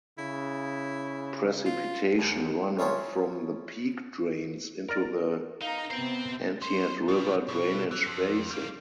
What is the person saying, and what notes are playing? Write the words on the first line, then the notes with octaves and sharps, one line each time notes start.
Precipitation runoff from the peak drains into the Entiat River drainage basin.
C#3 E4
F4
D#2
C#4 E4 F4 G#4 C5 C#5
A#4 D5
D#4 F5 A#5
C3 B3 C5 G5
B4 C5
B2 F3
B2
E3
F2
G3 A#3